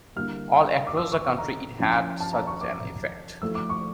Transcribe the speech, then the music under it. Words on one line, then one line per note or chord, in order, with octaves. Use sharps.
All across the country, it had such an effect.
D3 G3 A#3 E4 F6
D6
E6
C#6
C#6
A#5
F3 C#4 E4
A5
A#5
C#6
D6
F3 A3 E4 E6
D6
C#6